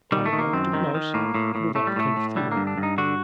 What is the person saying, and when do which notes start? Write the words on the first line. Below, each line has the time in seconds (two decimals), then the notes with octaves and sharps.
I like to be nice, and all that kind of thing.
0.12 D#3 G3
0.26 A3
0.33 D#3
0.39 A#3
0.53 F#2 C4
0.73 D#3
0.94 D#3
1.14 A2 A#3
1.34 A2
1.55 A2
1.75 A2 A3
1.87 G3
1.96 A2 A3
2.16 A2
2.36 D3 G3
2.52 A#3
2.57 G2
2.67 D4
2.78 G2
2.83 D#4
2.98 D3 F#4